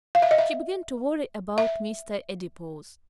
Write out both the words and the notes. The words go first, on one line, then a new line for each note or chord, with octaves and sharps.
She began to worry about Mr. Adipose.
F5
E5
D#5
E5
E5